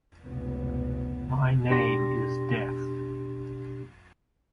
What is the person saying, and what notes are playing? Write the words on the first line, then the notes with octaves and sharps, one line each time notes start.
My name is death!
F1 C#2 B2 B3
B2 D4 G4 C6 A#6